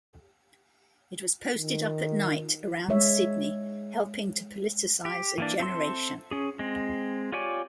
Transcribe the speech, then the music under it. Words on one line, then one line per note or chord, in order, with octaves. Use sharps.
It was posted up at night around Sydney, helping to politicise a generation.
D#3
G#3 D#4 C#5 E5
G4
E3 A#3 D4
C4 A4 E5 C6 E6
C#4 G#4
G#3 C4
F4 G4 C#5 D5 G#5